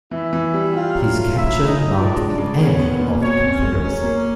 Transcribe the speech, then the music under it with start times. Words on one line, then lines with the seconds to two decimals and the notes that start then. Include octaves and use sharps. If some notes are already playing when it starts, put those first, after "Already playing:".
His capture marked the end of the Confederacy.
0.11 E3 E4 E5
0.33 E3
0.54 G3
0.73 F4 G4 F5
0.94 F#3
1.14 A3
1.35 F#3 E4 E5
1.56 F#3
1.66 D#4 D#5
1.76 F#3
1.96 F3 D4 D5
2.17 G#3
2.28 D4 D5
2.38 C#3
2.58 B3 C#4 C#5
2.79 B3
2.99 A#2
3.20 B2 C#4 C#5
3.41 C4
3.51 C#4 C#5
3.62 G#3
3.81 F#3 C#4 C#5
4.02 A#3